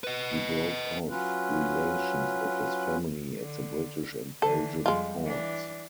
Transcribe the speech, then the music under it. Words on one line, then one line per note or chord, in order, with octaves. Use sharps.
He broke off relations with his family at the British and Belgian courts.
B4 D#5
F#3 C#4 F4 B4
D3
D3 E3 A4
F2 G3 G#3 F4
E3 D4